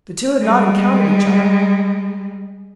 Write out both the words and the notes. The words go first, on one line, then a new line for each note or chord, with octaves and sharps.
The two had not encountered each other.
G3 G#3